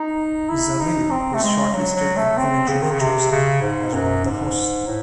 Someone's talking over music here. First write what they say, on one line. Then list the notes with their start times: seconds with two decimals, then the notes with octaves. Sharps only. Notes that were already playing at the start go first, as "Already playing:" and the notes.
Zamil was shortlisted and eventually chosen as one of the hosts.
Already playing: D#4
0.49 E4
0.80 D#4
1.11 C4
1.34 A3
1.43 G#3
1.74 F#3
1.95 F#3
2.16 A3
2.37 C4
2.68 C#3
2.82 D#3
2.91 C#3
3.00 C3
3.32 C#3
3.62 G#2
3.94 F#2
4.25 G#2
4.87 A2